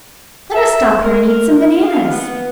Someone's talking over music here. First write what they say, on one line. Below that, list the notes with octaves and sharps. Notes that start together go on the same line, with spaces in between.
Let us stop here and eat some bananas.
E5
A#4
F5
B3